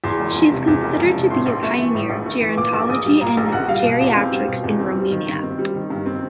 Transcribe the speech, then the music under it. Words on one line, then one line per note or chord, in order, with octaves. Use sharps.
She is considered to be a pioneer of gerontology and geriatrics in Romania.
E2 C6
E1
F3
C3
E2
E1
F3
C3
A2 C6
A#1
A3
E3
A2
A#1
A3
E3
A#2 D6
A#1
A#1 D#6
G3
A#2 A#5
A#1
A#1 F#5
G3 F5
B2
E2
C4
G3
B2
E2
C4
G3
D#3
G2
C4
G3
D#3
G2
C4